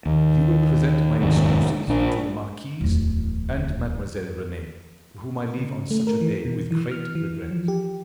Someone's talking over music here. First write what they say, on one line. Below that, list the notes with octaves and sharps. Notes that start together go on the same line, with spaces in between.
"You will present my excuses to the marquise and Mademoiselle Renee, whom I leave on such a day with great regret."
D#2
F1 D#2 G#2
A#1 D4
D1 E2
C#3
A3
A#4
E3
B2
E3
F6
E3
F3
G4